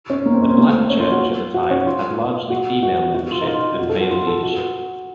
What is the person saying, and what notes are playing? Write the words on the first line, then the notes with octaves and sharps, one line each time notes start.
The Black church, at the time, had largely female membership and male leadership.
C#4
A#3
C4
C#4
C4
A#3
A3
C#4
F4
F#4
F#4
C#4
F4
F#4
F#4
F#4
F4
D#4
F4
F#4
A4
F#4
F4
A4
F#4